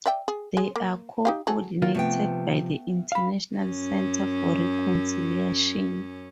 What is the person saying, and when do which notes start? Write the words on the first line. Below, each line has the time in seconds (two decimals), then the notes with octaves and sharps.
They are co-ordinated by the International Centre for Reconciliation.
0.06 D5 E5 G5
0.28 G#4
0.57 G#3
0.76 A#3
1.25 D#4 G4 F5
1.47 F#3 G#4 A4
1.82 D#3 A#3 F4 A#4
1.95 C3 F3 A3 B3 G5
3.12 F5 B5
3.58 F#2 C#4